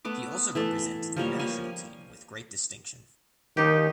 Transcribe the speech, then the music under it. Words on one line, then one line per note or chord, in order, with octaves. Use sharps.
He also represented the national team with great distinction.
A3 B3 D6
E3 A3 A4
F3 G3 A#3 C#5
F3 A#3 G#5
D#3 D#4 G4